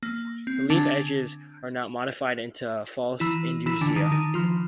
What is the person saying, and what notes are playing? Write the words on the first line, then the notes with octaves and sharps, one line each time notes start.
The leaf edges are not modified into false indusia.
A#3
C4
D3 D4
E3 E4
E3 E4
D3 D4
D#3 D#4
D#3 D#4
F3 F4